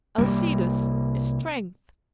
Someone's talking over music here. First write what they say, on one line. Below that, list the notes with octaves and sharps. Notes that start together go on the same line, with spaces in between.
Alcides is strength.
C2 G3 A#3